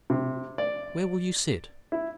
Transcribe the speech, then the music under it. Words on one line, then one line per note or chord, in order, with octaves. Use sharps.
Where will you sit?
C3
D5
E4